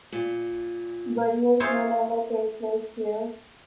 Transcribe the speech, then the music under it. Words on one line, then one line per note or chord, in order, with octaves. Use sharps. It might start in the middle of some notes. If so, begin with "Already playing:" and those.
Burials no longer take place here.
A#2
E4 F4 G#4 C5 C#5 F5